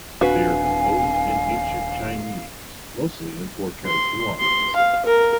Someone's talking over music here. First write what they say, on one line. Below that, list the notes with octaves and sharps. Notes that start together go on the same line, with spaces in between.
They are composed in ancient Chinese, mostly in four-character lines.
D#1 C4 D4 F#4 B4 F5 G#5
C6
C6
F5
A#4